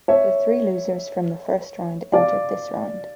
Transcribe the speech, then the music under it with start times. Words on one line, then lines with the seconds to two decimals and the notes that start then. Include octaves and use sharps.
The three losers from the first round entered this round.
0.08 C#5 E5
2.13 D5 F5